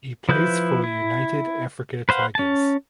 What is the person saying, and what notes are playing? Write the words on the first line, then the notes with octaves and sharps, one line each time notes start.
He plays for United Africa Tigers.
F3 E4 B4 G6
E4
B4 C5 F5 F#5
C#4 A5